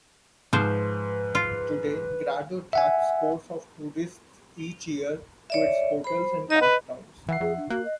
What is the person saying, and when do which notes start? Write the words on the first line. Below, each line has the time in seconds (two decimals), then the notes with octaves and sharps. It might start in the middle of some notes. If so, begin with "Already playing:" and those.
Today, Grado attracts scores of tourists each year to its hotels and campgrounds.
0.53 G#2 F3 B4 C5
1.35 F4
2.73 E5 F#5 G#5
5.50 C#5 D5 E5
6.04 C5 B5
6.50 D#4 D#5
6.62 B4
7.29 E3 E5 F#5 C7
7.41 F2 G#4
7.57 D4
7.70 A#3 F#4 F#6
7.85 D#5